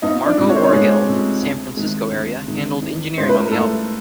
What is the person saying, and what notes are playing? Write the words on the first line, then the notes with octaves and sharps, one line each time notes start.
Marco Origel, from the San Francisco area, handled engineering on the album.
F2 D#4 D#5
D4 D5
C3 F3 G#3
C#5
C5
C#4 C#5
F2 G#3 G#4
C3 F3 G#3
D2
C3 D#3 G#3
D2
C3 D#3 G#3
E2
C#3 F3 G#3 C5
B4
A#4
E2 A3 A4